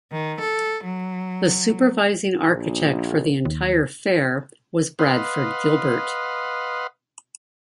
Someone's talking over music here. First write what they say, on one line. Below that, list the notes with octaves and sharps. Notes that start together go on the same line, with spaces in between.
The supervising architect for the entire fair was Bradford Gilbert.
D#3
A4
F#3
A#1
D#2
B4 D#5 F5 F#5 C6